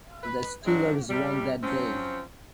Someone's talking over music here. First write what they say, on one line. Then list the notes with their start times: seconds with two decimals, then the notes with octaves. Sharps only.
The Steelers won that day.
0.24 B4
0.65 F3 F#3 G#3 C4 D4
1.10 C3 G3
1.63 F3 F#3 C4 C#4